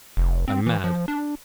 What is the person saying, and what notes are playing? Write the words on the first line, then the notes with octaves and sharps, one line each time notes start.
I'm mad.
F1
C4
E3
F3
D4